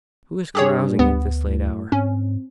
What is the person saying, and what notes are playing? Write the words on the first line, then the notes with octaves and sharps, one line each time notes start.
Who is carousing at this late hour?'
G2 G4 G#4 C#5
D2 B3
A2
G#2 C4 C#4